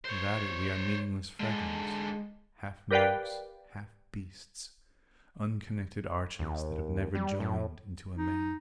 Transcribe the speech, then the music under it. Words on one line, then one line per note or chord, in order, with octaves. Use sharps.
Without it we are meaningless fragments, half monks, half beasts, unconnected arches that have never joined into a man.
C5 C#5
G#2 D3 G#3
G4 A#4 B4 D5 F5 G5
D#2
G3
A2
D#4